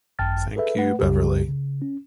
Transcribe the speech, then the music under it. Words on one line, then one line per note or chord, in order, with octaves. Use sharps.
Thank You Beverley.
G#1 F#2 G5 A5 F6 A6
G#4 A4 B4 E5
A3 B4 F#5
C2 F#2 C#3 G3 G4
C#3
C#4